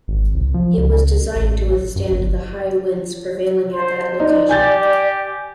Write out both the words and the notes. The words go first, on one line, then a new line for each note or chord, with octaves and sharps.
It was designed to withstand the high winds prevailing at that location.
G#1
C2
F3
C#2
A1
F#2
G1
C5
D#4 D5
G4 G#5 G6 A6